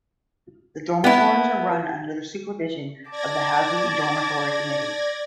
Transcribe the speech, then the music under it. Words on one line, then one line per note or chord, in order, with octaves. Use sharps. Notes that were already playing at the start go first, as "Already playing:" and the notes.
The dormitories are run under the supervision of the Housing and Dormitory Committee.
B3 E4
D5 A5 D6 G#6 A#6